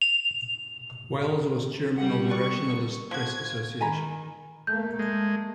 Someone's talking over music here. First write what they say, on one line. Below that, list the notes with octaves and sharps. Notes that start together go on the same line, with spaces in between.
Wells was Chairman of the Rationalist Press Association.
F7
G3 F#5
B4 D5 C#6
F3 F#4 G#6
D#3 G#5 A#5 B5
A3 A#3 G6
G#3